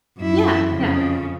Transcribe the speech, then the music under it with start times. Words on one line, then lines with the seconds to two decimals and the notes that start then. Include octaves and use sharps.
Yeah, yeah.
0.17 F#2 E4
0.69 F2 C#3